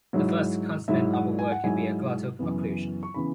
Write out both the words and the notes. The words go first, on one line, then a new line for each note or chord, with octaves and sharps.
The first consonant of a word can be a glottal occlusion.
G#2 F#3 E4
G#2 F#3 E4 E5
F#5
G#5
F#5
G#2 F#3 E4 G#5
F#2 C#3 E3 B3
C#6
C#3 E3 B3 B5